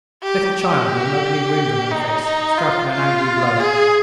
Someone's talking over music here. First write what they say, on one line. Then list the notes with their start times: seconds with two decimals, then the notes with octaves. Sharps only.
Little child with an ugly wound on her face, struck in an angry blow.
0.23 G4
0.56 G4
1.91 D#4
2.25 D#4
2.58 F4
2.93 F4
3.60 G#4